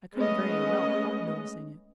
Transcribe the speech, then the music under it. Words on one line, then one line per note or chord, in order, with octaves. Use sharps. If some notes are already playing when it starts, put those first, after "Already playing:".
"I couldn't very well help noticing it."
G#3 A3 B3 C#4 D#5